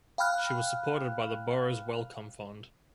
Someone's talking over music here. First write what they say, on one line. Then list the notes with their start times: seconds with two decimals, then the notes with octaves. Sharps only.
She was supported by the Burroughs Wellcome fund.
0.18 F5 G5 B5 F6 F#6